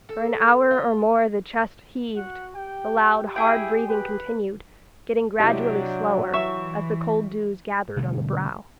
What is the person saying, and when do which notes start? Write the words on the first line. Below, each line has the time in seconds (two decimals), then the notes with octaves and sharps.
For an hour or more the chest heaved, the loud, hard breathing continued, getting gradually slower, as the cold dews gathered on the brow.
0.09 A4
0.71 F4
2.16 F#4 F#5
2.55 G4 G5
3.36 E4 G#4 G5
3.89 B4
5.40 C3 F#3 D4 E4 G4 D#5
6.33 E3 E5 C#6
7.97 B2 D3 G3 A3